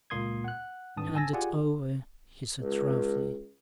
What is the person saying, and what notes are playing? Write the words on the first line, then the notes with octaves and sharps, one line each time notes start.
"Hand it over," he said roughly.
C#2 A#2 A#3 C6 D#6 G#6
F#5 F#6
G#1 G2 A5 D#6
G#5 A5 E6 A6 A#6
F4 G4 G#4 D5 F#5 G#5
C#2